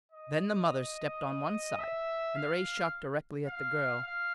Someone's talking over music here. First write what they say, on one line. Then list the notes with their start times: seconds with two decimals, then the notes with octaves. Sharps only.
Then the mother stepped on one side, and the ray shot directly at the girl.
0.12 D#5
1.79 E5
2.35 F5
3.47 F5
4.02 F5